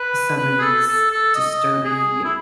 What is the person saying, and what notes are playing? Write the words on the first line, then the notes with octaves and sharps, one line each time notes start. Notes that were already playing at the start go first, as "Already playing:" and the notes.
some of these disturbing,
Already playing: B4
B4
G#4
A4
A4
A4
D#5
G#4
E4